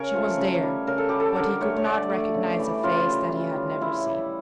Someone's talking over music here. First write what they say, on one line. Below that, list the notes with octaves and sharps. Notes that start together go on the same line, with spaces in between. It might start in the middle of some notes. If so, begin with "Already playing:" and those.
She was there--but he could not recognise a face that he had never seen!
Already playing: C#3 C#4 A#4 C#5
F3 A3
C#3
G3
C#3 A#4
A4
G3 G4
A4
D3 A#4
A3 C#5
C#5
D3 D5
A3
C#3
E3 G3
C#3 F4
E3 G3
C#3
G3
C#3 E4
G3